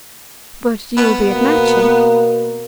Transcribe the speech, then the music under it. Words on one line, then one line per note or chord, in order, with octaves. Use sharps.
"But you'll be at Matching?"
B3
B2 A#3